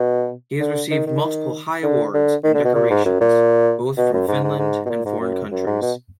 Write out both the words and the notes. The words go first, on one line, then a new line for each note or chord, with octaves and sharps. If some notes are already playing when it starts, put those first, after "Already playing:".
He has received multiple high awards and decorations both from Finland and foreign countries.
Already playing: B2
D3
D#3
D#3
D3
D3
D#3
D3
B2
A#2
G#2
F#2
A#2
B2
F#2
G#2
G#2
G#2
B2
A#2
G#2
F#2
F#2
G#2
B2